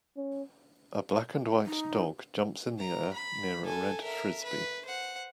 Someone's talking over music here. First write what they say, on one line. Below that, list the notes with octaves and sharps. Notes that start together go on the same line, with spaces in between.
A black and white dog jumps in the air near a red Frisbee.
C#4
D#4
A#5
B5
A4 G#5
A#4 E5
B4
C5 F#5